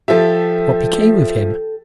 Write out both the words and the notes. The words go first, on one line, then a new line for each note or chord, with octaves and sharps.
What became of him?
F3 G4 A4 E5